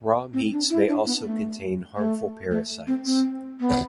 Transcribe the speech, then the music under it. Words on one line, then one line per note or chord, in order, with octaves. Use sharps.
Raw meats may also contain harmful parasites.
C4
D4
E4
D4
B3
A3
A3
A3
C4
C4
B3